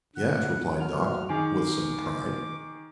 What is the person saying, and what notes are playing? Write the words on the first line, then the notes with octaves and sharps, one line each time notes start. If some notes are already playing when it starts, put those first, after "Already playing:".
"Yes," replied Dot, with some pride.
D3 F#5
F#2 F#4 F6
D#3 G#4 D6